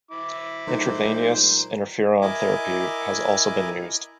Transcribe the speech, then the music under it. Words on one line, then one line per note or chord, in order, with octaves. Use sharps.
Intravenous interferon therapy has also been used.
E4 D6
A#2 F#3 G#3 A3 D#4 C5
E4 A#4 D#5 E5 G#5 D6